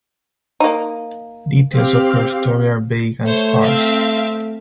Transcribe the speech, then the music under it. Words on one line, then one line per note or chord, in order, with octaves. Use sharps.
Details of her story are vague and sparse.
A#3 D#4
C4 G4 F5
A3 C5 C#5
C4 E5 F5